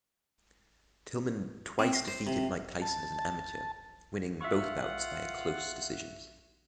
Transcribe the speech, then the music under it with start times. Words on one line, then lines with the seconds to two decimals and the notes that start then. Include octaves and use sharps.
Tillman twice defeated Mike Tyson as an amateur, winning both bouts via close decisions.
1.79 C4
1.93 C6
2.08 C5
2.27 C3
2.82 A5
4.41 F4 E5 F#5 C#6